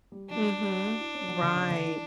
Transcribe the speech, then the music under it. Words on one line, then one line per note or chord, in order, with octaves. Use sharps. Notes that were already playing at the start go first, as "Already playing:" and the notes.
Mhm. Right.
G3
F#3 D4
G3
F#4
E4
C#4
F#3
D3
C#3
D3
E3